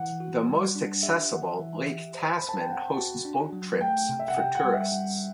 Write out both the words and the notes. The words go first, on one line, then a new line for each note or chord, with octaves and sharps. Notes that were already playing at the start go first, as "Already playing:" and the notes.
The most accessible, Lake Tasman, hosts boat trips for tourists.
Already playing: E3 F#5
F#4
G3
D4
G4 E5
E3 F#5
E3
G4
C5
C5 B5
A5
G5
C4 F#5
F#4
D4
F#3
A3 G5
C3
E5
F#5
G4 G5
F#5
G3
E5
G3 F#5